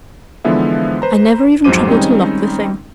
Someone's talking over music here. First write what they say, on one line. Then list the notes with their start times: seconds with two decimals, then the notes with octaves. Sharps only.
I never even trouble to lock the thing.
0.45 D3 E3 F3 G#3 B3 E5
1.02 B4 C5 A#5
1.64 F2 G#2 F#3 C5 D6 D#7
1.87 D#3 G3 G#3 C4 C#4 D#4